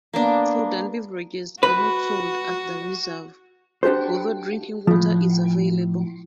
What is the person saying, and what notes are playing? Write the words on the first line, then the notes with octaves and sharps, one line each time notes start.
Food and beverages are not sold at the reserve, although drinking water is available.
A#3 B3 D4
F#4 B4
D4 F#4 G4 A4 C5
A2 F3